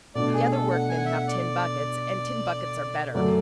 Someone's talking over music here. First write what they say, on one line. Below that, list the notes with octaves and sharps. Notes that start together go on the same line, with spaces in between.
The other workmen have tin buckets, and tin buckets are better.
B2 A3 D4 D5
G#4
A4
F#5
G#5
F#5
E5
F#5
D5
F#2 C#3 F#3 A3 D5